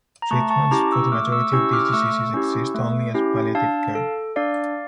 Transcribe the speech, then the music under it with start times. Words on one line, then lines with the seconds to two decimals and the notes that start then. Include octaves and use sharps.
Treatments for the majority of these diseases exist only as palliative care.
0.22 A#5
0.31 A3 A5 C#6
0.50 A5 C#6
0.71 C#4 E4 G4 A#5 D6
0.92 C#6 E6
1.12 A3 D6 F6
1.32 C#6 E6
1.53 C#4 E4 G4 C#6 E6
1.72 D6 F6
1.85 F6
1.92 A3 C#6 E6
2.34 C#4 E4 G4
2.74 A3
3.14 C#4 E4 G4
3.55 D4 F5 A5
3.95 A4
4.36 D4 D5 F5